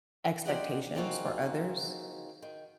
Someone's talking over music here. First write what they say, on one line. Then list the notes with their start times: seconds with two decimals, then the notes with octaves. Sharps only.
expectations for others,
0.46 A#3 F4 G4 D5 D#5 F#5
0.95 A#3 C4 D#4 F4 F#4 G#4
2.42 D#3